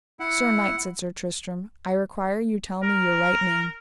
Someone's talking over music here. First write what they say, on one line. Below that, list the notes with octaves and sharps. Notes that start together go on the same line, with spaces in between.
Sir knight, said Sir Tristram, I require you tell me your right name.
E4 F#5
A#4